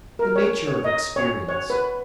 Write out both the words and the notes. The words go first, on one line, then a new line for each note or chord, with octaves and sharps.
The Nature of Experience.
A#4
C#5
C#5
D#5
C#5
C#5
B4